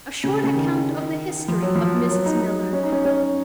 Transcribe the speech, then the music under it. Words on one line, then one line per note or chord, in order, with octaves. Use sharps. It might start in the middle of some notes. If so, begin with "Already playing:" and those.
A short account of the history of Mrs Miller.
C#3
C#3
D#3
F3
F#3
F3
F#3
D#4
D#4
C#4
D#4
C#4
C#4